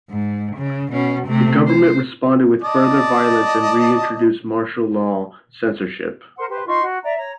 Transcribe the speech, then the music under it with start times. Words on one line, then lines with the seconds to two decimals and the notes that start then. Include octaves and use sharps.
The government responded with further violence and reintroduced martial law censorship.
0.10 G#2
0.56 C#3
0.92 B2 C#4
1.27 C3 A3
1.67 C5
2.62 D5 D#5 A5
6.38 A#4 C5 F#5 C6
6.50 G4 B4 C5 C6
6.66 D#4 F4 C6 C#6
6.83 F#4
7.04 D5 E5 A#5
7.18 C#5 A#5